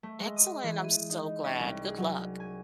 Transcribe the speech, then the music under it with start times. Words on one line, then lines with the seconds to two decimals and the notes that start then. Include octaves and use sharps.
Excellent, I'm so glad. Good luck.
0.03 A3
0.20 G#3
0.36 D#6
0.63 E3
0.84 D#7
1.10 D#4
1.44 C#4
1.60 C2
1.84 G#4
1.98 F#3
2.40 G#5